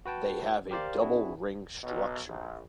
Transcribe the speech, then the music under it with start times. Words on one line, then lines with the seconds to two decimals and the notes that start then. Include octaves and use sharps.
They have a double ring structure.
0.06 F#4 B4 G5 A5
0.71 G4 A#4 C5 D5 F5
1.00 C4 D4 E4 F#4 G#4
1.84 B1 B2
2.28 A#1